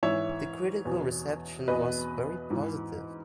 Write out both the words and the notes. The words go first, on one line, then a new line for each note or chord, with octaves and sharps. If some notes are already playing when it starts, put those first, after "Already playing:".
The critical reception was very positive.
G#2 E3 C#5 E5
E2 B2
E2 B2 B4 D#5
G#2 E3